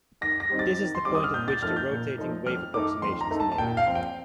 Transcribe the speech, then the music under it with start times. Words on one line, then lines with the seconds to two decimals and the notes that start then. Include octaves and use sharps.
This is the point at which the rotating wave approximation is made.
0.21 D#3 A#6
0.40 A#6
0.50 G3 C4 D#4
0.59 A6
0.78 D#3
0.95 C6
1.05 G3 C4 D#4 D6
1.15 D#6
1.24 F6
1.34 A#2 G6
1.48 A6
1.62 F3 A3 D#4 F6
1.76 G6
1.90 A#2
2.18 F3 A3 D#4
2.46 F2 F6
2.74 D#3 A3 D#4 D6
3.02 F2 C6
3.21 A#5
3.31 D#3 A3 D#4
3.40 A5
3.52 A5
3.58 A#2 G5
3.77 F5
3.87 F3 C4
3.95 G5